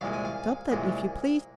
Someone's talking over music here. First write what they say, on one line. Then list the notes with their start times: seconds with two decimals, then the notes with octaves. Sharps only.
Stop that if you please!
0.01 C2 A#2 G#3 F5
0.13 G#5
0.25 F5
0.72 C2 A#2 G#3